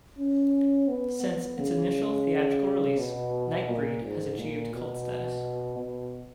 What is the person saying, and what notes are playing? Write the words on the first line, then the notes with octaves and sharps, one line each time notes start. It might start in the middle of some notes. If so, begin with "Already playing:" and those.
Since its initial theatrical release, "Nightbreed" has achieved cult status.
C#4
B3
B3
C#3
B2
A#2
G#2
A#2
B2
B2